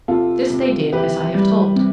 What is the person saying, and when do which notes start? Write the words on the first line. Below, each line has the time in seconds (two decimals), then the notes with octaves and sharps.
This they did as I have told.
0.08 C3 F4 A4
0.50 C3
0.92 E3 G4 B4
1.34 G3
1.76 C3